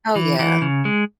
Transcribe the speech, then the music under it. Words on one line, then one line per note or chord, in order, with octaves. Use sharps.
Oh yeah.
E3
E3
C#3
G#3